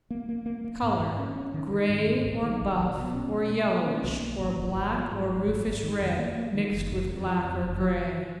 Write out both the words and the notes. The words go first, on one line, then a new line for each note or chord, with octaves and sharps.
COLOUR--Grey, or buff, or yellowish, or black, or rufus red, mixed with black or grey.
A#3
A#3
A#3
A#3
G#2
G#2
C#4
C#4
D#3
D#3
G#2
G#2
A#1
D#3
A#1
A#1
B2
C#4
B2
A#3
A#3
C#4
B1
A#3
G#1
G#1
G#1
F3
G#2
G#1
G#1
G#1
D#3
F2
A#3
A#3
D#3
F#1
F#1
F2
F3
F2
F#1
F3
F3